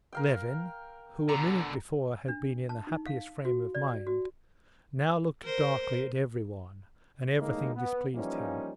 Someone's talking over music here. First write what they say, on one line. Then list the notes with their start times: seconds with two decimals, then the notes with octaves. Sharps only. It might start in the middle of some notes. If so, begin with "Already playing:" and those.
Levin, who a minute before had been in the happiest frame of mind, now looked darkly at everyone, and everything displeased him.
0.13 A#4 F5 G5
1.29 B2 D3 A#5
2.28 D4
2.69 A5
2.87 D#4
3.06 F5
3.45 F#4
3.75 D5
4.07 F#4
5.44 A#4 C5
7.39 A2 D#3 G#3 A#3 D#4
7.75 B3
8.15 E3 F3 G3 A#3 C#4 D#4